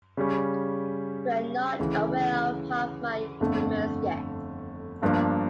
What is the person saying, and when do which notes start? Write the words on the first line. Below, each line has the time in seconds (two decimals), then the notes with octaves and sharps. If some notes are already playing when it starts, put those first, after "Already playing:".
You are not aware of half my humours yet.
0.17 C#3 G3 C#4
1.79 D2 C#3 E3
3.40 G1 F2 D3 A3
5.02 G1 G2 F3 A#3 D4